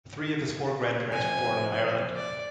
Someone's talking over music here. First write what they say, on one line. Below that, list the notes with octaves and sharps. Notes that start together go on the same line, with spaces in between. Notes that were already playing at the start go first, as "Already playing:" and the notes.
Three of his four grandparents were born in Ireland.
F2 C3 C4 G#5
D5